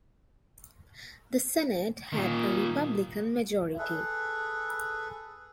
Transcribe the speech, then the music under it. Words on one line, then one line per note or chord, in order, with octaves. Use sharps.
The Senate had a Republican majority.
A#2 D#3
G#4 A4 B4